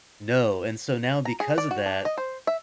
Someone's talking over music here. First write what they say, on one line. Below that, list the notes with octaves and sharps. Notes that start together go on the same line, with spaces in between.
No, and so now because of that,
A#5
G#4
D5
F#4
D4
D#5
C5
E5